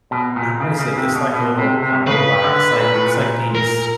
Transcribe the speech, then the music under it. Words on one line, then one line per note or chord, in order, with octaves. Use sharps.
uh, what is it? It's like the little not robot, it's, like it's, like, these,
B2
A#2
C#3
C#3
C3
B2
B2
C3
C3
C#3 B4
D3
A#2
A2
A#2
A#4